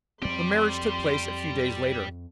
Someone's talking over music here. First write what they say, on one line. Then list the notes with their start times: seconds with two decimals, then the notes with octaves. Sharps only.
The marriage took place a few days later.
0.22 F2 C4 G4 D5 C6